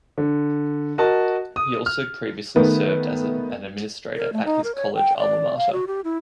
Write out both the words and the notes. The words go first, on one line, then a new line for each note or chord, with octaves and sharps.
He had also previously served as an administrator at his college alma mater.
D3
F#4 A#4 D#5 A5
D#6
F6
D#3 A3 B3
A#4
A3
D#4
A#4
C#5
G5
D5
F5
F#4
G4
E4